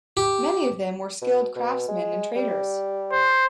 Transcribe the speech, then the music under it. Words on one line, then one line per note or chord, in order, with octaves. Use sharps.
Many of them were skilled craftsmen and traders.
G4
B2
B2
G#3
G3
C5